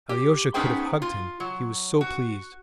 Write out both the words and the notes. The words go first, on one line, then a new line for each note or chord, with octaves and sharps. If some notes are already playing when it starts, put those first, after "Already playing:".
Alyosha could have hugged him, he was so pleased.
G4
B3 C#4 D#4 G#4 C5 G5
F4
F#3
F#4